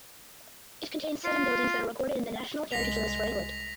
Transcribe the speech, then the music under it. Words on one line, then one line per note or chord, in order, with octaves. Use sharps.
It contains seven buildings that are recorded in the National Heritage List for England.
F4
C2 G#3 A#6 B6 F7